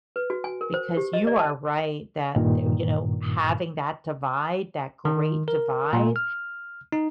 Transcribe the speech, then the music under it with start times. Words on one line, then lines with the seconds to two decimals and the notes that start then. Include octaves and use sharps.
because you are right that, th you know, having that divide, that great divide,
0.16 B4
0.30 F#4
0.44 G#5
0.61 A#4
0.74 C5
0.97 G4
1.13 D#5
1.27 D5
1.39 A5
2.36 G2 A#2 D#3
5.05 D#3
5.48 A#4
5.93 A#2
6.16 F6
6.92 D#4